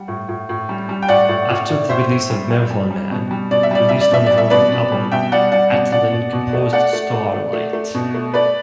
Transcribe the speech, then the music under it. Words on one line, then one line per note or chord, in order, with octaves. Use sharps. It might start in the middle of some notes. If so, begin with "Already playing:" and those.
After the release of "Marathon Man," released on his own label, Atlan composed Starlight.
Already playing: G3 F#5
A2
A2
A2
G3
G3
G5
A2 D5 F#5
A2
A2
A2
A2 C5 E5
A2
G3
G3
G3
G3
B2
G3
B2 D5
E5
G3 D5
G3 E5
D5
B2 E5
G3 D5
E5
B2 B4 D5
B2
G3
B2 E5 G5
G3 D5 F#5
G3 D5 F#5
B2 D5 F#5
B2 D5 F#5
B2
B2
A3
A3 D5 F#5
A3
A3
A3
A3
A3
B2
A3
A3 B4 D5